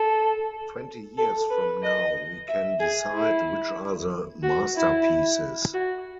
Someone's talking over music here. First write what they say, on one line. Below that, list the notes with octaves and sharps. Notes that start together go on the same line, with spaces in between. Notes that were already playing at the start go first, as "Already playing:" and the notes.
Twenty years from now we can decide which are the masterpieces.
Already playing: A4
A4
B4
D#5
E5
G#4
E4
F#4
E4
F#4